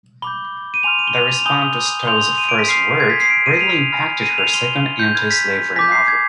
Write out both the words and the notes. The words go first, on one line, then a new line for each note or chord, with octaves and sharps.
The response to Stowe's first work greatly impacted her second anti-slavery novel.
B5 D6 G6 G7
D#7
G#5 C6 F6 F7
D#7
G7
F7
F7
G#5 B5 D#6 G6 G7
G7
G#5 C6 G6 F7
D#7
D7
B6
C6 F6 C7
G#6
B6
C7
C6 F6 D7
D#7
F7
G#5 B5 F6
D#7
F7
C6 F6 G7
G6
B5 F6 G#6
B6
G#5 D6 G6 B6
C7
G#6